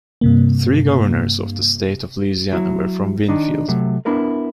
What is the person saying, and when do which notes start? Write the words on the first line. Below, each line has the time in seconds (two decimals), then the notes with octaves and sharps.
Three governors of the state of Louisiana were from Winnfield.
0.21 G2 C3 A#3
2.53 F#3 E4
3.28 D#3 D4 D#4
3.68 C3 F#3 A3
4.05 B3 D4 E4 A#4 B4